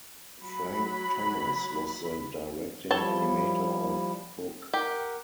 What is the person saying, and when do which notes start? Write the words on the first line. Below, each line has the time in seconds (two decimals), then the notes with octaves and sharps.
Frank Thomas was the directing animator of Hook.
0.44 F#3 B5
2.91 F3 G3 E4 A4 C#5 A5
4.74 G4 A#4 F#5